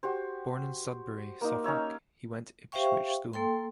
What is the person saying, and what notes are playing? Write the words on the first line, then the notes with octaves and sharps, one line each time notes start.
Born in Sudbury, Suffolk, he went to Ipswich School.
F#4 G4 C5
A#3 D#4
C#4 D#4 C#5 E5
G4 C5 E5 F5 G5 C#6
A#3 A4 G5 C6